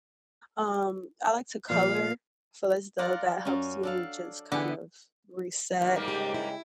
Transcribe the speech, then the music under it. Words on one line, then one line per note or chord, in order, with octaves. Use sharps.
Um, I like to color, feel as though that helps me just kind of reset.
A#2 F3 F5
F4 A#4 D5 F#5
F#2 C#4
D4 A4 F5
D3 B3 G4 G#4
G2 A#2 D#3 E3
G#2 G3 A#3
C#3 G#3 G4 G5
E4